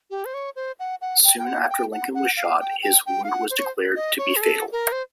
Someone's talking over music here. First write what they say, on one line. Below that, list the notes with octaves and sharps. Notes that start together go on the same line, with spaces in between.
Soon after Lincoln was shot, his wound was declared to be fatal.
G4
C5
C#5
C5
F#5
F#5
G5
G5
F#5
F#5
G5
F#5
F#5
F5
G5
G5
G5
F5
F#5
C5
C#5
C5
D#5
C#5
G#4
A4
A#4
C5